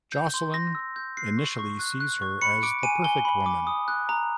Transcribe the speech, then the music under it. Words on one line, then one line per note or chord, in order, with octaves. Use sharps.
Jocelin initially sees her as the perfect woman.
G6
C6
C6 A#6
E6
G6
F#6 C7
C#6
C#6
F#6
F#6
C#6
B5 C#7
D6 D7
G#5 D#7
G#5 G7
B5
D6
D#6
F#6
A#5